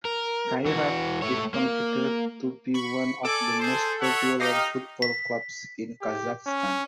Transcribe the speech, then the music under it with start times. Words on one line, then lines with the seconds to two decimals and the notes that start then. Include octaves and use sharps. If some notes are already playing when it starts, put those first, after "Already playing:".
Kairat is considered to be one of the most popular football clubs in Kazakhstan.
0.05 A#4
0.66 E3 F#4
1.22 A3 C#5
1.54 A#3
2.74 B5 C#6
3.25 A4 D5 G#5 D6
3.59 G#4 C5
4.00 C#5 E5 F#5
4.40 D#4 G4 D#5 F5
5.02 B6
6.01 G4
6.47 C#4